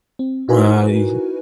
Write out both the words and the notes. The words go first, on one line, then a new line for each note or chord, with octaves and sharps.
Uh, you
C4
D#4 E4 F#4 A#4 B4 G#5